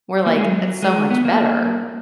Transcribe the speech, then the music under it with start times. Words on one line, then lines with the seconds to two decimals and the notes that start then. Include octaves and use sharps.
we're like, "It's so much better."
0.26 A#3
0.36 G#3
0.45 F#3
0.82 G#3
1.10 B3
1.25 A#3